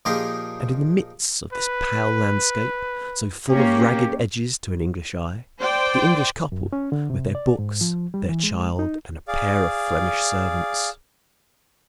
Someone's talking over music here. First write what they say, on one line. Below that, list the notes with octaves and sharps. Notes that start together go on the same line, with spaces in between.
And in the midst of this pale landscape, so full of ragged edges to an English eye, the English couple, with their books, their child, and a pair of Flemish servants.
A#2 F3 A#3 D#4 G4 G#4
B4
A#3 C#4 G4
C5 D5 G5
F#2
C#4
D3
C3
D5
G#2
F3
G3
E3
G#3
D#4
G#4 D5 F5